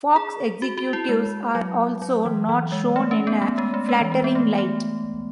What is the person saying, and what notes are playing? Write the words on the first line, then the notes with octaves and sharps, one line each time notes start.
Fox executives are also not shown in a flattering light.
G#4
F#4
F#4
E4
G#3
F#3
F#3
E3
E3
G#3
A3
C#4
B3
A3
G#3
A3
G#3
E3
G#3
B3
A3
A3